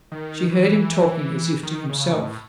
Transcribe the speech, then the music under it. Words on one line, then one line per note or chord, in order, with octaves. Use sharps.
She heard him talking, as if to himself.
D#3
E3
D#3
C#3
A2